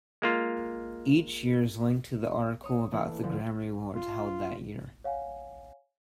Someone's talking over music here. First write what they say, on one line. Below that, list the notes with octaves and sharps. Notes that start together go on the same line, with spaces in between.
Each year is linked to the article about the Grammy Awards held that year.
G#3 A#3 F4
C#5 D#6
E3 A3 A#3 D4 E4
D3 F3 G#4
F4
C#5 F5 F#5 G#5